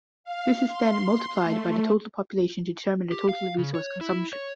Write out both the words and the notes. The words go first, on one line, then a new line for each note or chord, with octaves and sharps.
This is then multiplied by the total population to determine the total resource consumption.
F5
C6
A3
G4
F5
C#3
C#5
E4
C#5